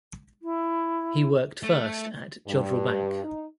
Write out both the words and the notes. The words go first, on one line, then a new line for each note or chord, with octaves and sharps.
He worked first at Jodrell Bank.
E4
A3
G2
D#4